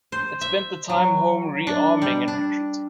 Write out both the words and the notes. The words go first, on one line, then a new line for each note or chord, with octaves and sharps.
It spent the time home re-arming and recruiting.
C5
E5
F#3
D4
G3
D4